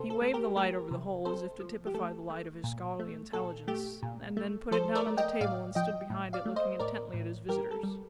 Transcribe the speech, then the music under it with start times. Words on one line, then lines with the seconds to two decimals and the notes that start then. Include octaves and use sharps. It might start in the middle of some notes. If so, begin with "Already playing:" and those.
He waved the light over the whole, as if to typify the light of his scholarly intelligence, and then put it down on the table and stood behind it looking intently at his visitors.
Already playing: C3 A4 C5
0.10 A4
0.22 A3
0.34 G4 A#4
0.56 A3 G4 A#4
0.91 C3
1.25 C3 A4 C5
1.60 F3
1.87 G4
1.94 A3 A4
2.30 A3
2.64 A#2
2.99 A3
3.33 A#2 A4
3.68 A3 G4
4.03 A#2
4.37 A3
4.71 F3 A4 C5
4.95 A#4 D5
5.07 A3
5.17 D#5 G5
5.41 A2 D5 F5
5.75 F3 D#5 G5
6.10 A2
6.33 D5 F5
6.46 A3
6.56 C5 D#5
6.79 A2 A#4 D5
7.14 A2
7.49 G3 G4 A#4
7.71 A4
7.83 G3